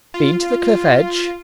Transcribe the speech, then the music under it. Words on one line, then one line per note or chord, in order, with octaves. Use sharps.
"Been to the cliff edge?"
F4